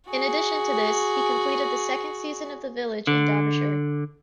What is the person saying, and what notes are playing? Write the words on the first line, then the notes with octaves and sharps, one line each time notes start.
In addition to this, he completed the second season of "The Village" in Derbyshire.
F#4 G#4
D3